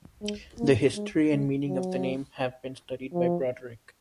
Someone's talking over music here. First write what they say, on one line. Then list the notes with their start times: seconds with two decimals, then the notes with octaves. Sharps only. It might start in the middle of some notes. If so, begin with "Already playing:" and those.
The history and meaning of the name have been studied by Broderick.
0.22 G#3
0.58 A#3
0.95 G#3
1.31 G#3
1.68 F#3
3.14 F3